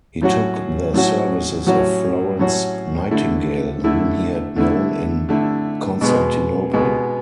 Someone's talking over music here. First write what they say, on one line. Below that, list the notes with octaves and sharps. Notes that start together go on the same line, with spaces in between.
He took the services of Florence Nightingale whom he had known in Constantinople.
A2 F#3 C#4 F#4
A2 F#3 C#4 F#4
A2 F#3 C#4 F#4
A2 F#3 C#4 F#4
D3 A3 E4
D3 A3 E4
D3 A3 E4
D3 A3 E4
B2 G#3 B3
B2 G#3 B3